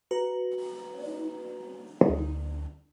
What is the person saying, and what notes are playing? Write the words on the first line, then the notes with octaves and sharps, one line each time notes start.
Pant mostly wrote in Sanskritized Hindi.
F#4 B4 A#5
D2